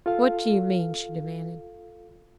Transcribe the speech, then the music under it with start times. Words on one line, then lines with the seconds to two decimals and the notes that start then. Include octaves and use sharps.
"What do you mean?" she demanded.
0.06 F4 A4 F5